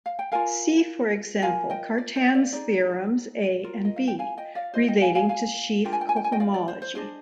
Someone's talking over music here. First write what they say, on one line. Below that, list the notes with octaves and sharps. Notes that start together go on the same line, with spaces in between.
See for example Cartan's theorems A and B, relating to sheaf cohomology.
F5
G5
F4 A#4 F5 G#5
F4 A#4 F5 G#5
D#5 G5
D5
C5 D#5
D5 F5
D#4 G#4 D5
F4 A#4
D#5
F5
G5
F5 G#5
D#5 G5
D5 F5
F4 A#4 C5 D#5
D#5 G5
F5 G#5
F5 G#5
F5 G#5
D4 F4 A#4 G5
G#5
G5
G#5
G5
G#5
D#5 G5
D5 F5
D5
C5
C5
D4 G#4 C5 D#5